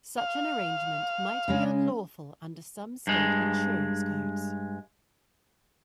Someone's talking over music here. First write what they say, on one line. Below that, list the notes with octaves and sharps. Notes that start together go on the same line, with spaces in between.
Such an arrangement might be unlawful under some state insurance codes.
F5
C#3 G#3 C#4
G2 G#3